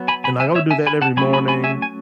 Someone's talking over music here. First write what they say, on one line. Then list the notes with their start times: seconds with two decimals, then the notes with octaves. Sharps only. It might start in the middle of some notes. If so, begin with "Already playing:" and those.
and, like, I would do that every morning,
Already playing: F#3 B3
0.08 G#5 B5
0.24 G#5 B5
0.40 E5 G#5
0.55 C#5 E5
0.71 E5 G#5
0.87 G#5 B5
1.02 F#5 A5
1.17 F#3 A3 C#4 G#5 B5
1.33 G#5 B5
1.48 G#5 B5
1.64 E5 G#5
1.82 G#5